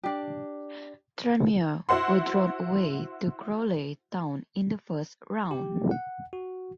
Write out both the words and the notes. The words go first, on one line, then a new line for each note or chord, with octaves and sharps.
Tranmere were drawn away to Crawley Town in the first round.
D4 G4
E4 F#4 C5 F#5 C6
G4
F#5
F#4